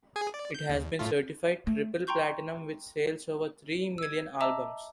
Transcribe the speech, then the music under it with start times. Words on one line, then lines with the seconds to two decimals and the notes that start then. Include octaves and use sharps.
It has been certified triple platinum with sales over three million albums.
0.16 G#4 G#5
0.34 D5
0.55 G6
0.69 D#2
0.99 A2 A3 F4
1.67 A3
2.07 G5 A#5 C6 C#6 G6
3.98 E6 G#6
4.40 D#5 E5 A5 A#5 D6 E6